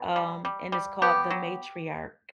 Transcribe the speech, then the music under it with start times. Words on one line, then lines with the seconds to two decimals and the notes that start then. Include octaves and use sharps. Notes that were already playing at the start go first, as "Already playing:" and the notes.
um, and it's called The Matriarch,
Already playing: B2
0.16 G3
0.45 G3
0.72 G3
1.02 B3 G4
1.30 F#3